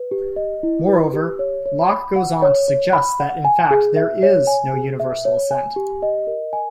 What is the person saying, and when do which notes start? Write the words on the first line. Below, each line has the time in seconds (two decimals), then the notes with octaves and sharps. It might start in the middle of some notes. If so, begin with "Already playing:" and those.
Moreover, Locke goes on to suggest that in fact there "is" no universal assent.
Already playing: B4
0.11 G4
0.36 D#5
0.63 E4
0.88 B4
1.13 G4
1.39 C#5
1.66 C#5
1.92 B5
2.16 F#5
2.42 C#5
2.68 C#5
2.93 B5
3.20 F#5
3.45 G#5
3.71 G#4
3.96 E5
4.23 C#5
4.47 G#5
4.74 G#4
5.00 E5
5.25 C#5
5.51 G#5
5.76 G4
6.03 D#5
6.27 A#4
6.53 G#5